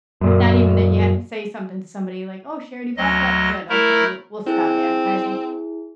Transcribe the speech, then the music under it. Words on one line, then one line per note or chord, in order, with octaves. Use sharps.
not even that you have to say something to somebody like, "Oh, she already bought that, good, okay, we'll we'll stop advertising,"
F#2 A#2
D2 F#3 D#5
A3 E4 A#4 A#5
C4 E4 G#4